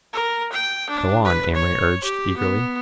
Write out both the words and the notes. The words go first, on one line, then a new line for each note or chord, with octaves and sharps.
"Go on," Amory urged eagerly.
A#4
G5
D4
B4
C#5
G4
B3